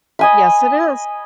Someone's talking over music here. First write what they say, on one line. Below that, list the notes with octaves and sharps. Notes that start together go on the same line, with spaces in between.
Yes, it is.
D#5 G#5 B5